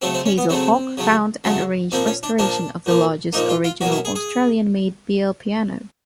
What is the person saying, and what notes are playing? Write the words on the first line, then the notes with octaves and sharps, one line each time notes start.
Hazel Hawke found and arranged restoration of The Lodge's original Australian-made Beale Piano.
C#3 F#3 A3 C4
C4
C#4
B3
C#3 F#3 A3 C4
C#3 F#3 A3
C#3 F#3 A3
A#2 F3 A#3 C4
C#4
D4
A#2 F3 A#3 D4
A#2 F3 A#3
A#2 F3 A#3 D#4
F4
F4
B2 F#3 A#3 F#4
E4
G#4
G#4